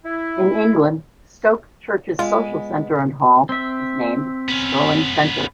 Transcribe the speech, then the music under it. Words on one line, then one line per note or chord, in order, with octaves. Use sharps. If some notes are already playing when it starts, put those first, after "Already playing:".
In England, Stoke Church's social centre and hall is named "The Stirling Centre".
E4
G#3 B3 F4
C4 E5
B3 C#4